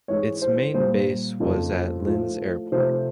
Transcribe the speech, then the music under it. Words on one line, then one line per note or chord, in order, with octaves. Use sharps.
Its main base was Linz Airport.
G#2 E3 G#3 C#5
C5
A#2 G3 A#3 C5
F2 C#3 F3 A#3
A2 F3 A3
C3 F3 A3 C5